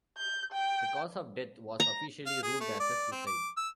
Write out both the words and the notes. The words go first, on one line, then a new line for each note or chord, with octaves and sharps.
The cause of death was officially ruled as a suicide.
G6
G5
A#5
F5
G#4
A3
D5
C4
D6
E6